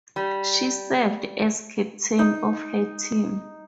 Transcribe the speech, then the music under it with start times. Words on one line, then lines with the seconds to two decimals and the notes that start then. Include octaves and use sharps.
She served as captain of her team.
0.16 G3
2.19 D#4